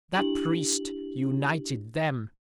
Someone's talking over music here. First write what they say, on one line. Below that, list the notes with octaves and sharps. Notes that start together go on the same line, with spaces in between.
"That priest united them."
D4 E4 G4 F#7